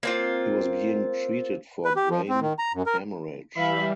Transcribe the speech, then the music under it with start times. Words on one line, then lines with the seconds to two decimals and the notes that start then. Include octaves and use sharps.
He was being treated for brain haemorrhage.
0.03 A#3 C4 F4
1.85 B4
1.96 G4
2.10 F3
2.29 C4
2.41 D#3
2.59 A#5
2.74 F#2
2.86 A#4
3.56 E3 G3 E5 F5 B5